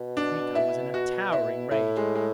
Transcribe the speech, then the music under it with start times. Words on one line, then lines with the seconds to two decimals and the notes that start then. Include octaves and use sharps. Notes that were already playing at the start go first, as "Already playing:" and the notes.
Miko was in a towering rage.
Already playing: B2
0.17 D4
0.55 E4
0.94 F#4
1.32 E4
1.71 A2 E4
1.97 G#3
2.15 G#3